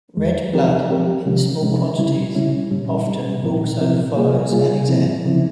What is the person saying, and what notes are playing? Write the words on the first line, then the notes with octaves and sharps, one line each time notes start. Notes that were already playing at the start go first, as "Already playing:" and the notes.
Red blood in small quantities often also follows an exam.
E2 E3 G#3
F3 C4 G4 A#4
F3 C4 G4 A#4
C3 F3 G#3 C#4
C3 F3 G#3 C#4
C#3 G3 C#4 E4
C#3 G3 C#4 E4
A#2 G3 C#4
A#2 G3 C#4
A#2 F3 C4 E4 A#4
A#2 F3 C4 E4 A#4
C3 G3 A#3 F4 G#4
C3 G3 A#3 F4 G#4
C#3 F3 C4 E4
C#3 F3 C4 E4